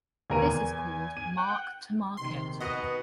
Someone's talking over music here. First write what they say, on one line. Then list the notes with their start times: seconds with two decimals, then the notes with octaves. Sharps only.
This is called "mark to market".
0.30 D#2 A#4 G#5 D#7
0.45 E2
1.17 D#7
1.38 F#5 G5
2.17 A#1 C3 D#3 C6
2.60 B2 B3 D#5 F#5